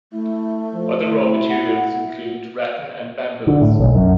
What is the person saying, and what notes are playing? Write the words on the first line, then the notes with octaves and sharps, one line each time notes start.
Other raw materials include rattan and bamboos.
A3 E4
F3
E4
F#5
D3
A2
B1
F#2